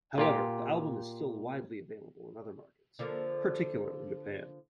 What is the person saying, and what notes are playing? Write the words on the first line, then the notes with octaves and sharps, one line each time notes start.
However, the album is still widely available in other markets, particularly Japan.
A#2 F4 G4
D3 F3 A#3